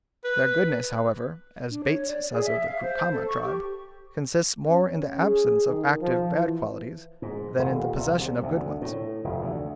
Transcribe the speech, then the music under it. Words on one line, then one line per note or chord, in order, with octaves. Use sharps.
Their goodness, however, as Bates says of the Cucama tribe, consists more in the absence of active bad qualities than in the possession of good ones.
B4
D4
C#5
D5
G#4
E5
F5
C5
A4
C#6
G4
C#4
G#4
D#3
F3
E3
G#2
D#1
C2
C3
D2
A2
F1
D2